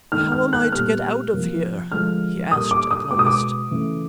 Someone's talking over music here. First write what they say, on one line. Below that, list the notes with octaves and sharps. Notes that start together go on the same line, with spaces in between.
"How am I to get out of here?" he asked at last.
D#3 G#3 B3 F6
F6
F#6
A#2 G3 B3 F6
C3 F3 A#3
D3 F3 G#3 F6
A#2 G3 A#3 D#6
D6
D#6
B2 G#3 B3 D6
D#6
D6
C#3 E3 A3